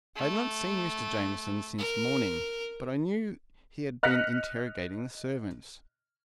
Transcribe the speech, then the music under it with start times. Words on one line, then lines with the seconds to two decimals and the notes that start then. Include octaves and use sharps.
I had not seen Mr. Jamieson since morning, but I knew he had been interrogating the servants.
0.16 A3
1.78 A#4
4.03 D#5 F6 F#6 A#6 B6 C#7